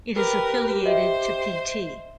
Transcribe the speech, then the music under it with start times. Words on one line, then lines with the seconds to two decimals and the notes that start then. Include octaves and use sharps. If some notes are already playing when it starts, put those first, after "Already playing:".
It is affiliated to Pt.
0.16 G4 A#4 B4
0.86 C5 D#5 E5